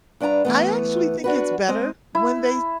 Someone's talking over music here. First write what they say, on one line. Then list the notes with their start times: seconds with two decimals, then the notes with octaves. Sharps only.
I actually think it's better when they t
0.20 G2 D4 B4 G#5 A#5
0.45 E3 A3 B3
1.24 D4 F#4 B4
1.68 G#3 C4 D#5
2.15 E4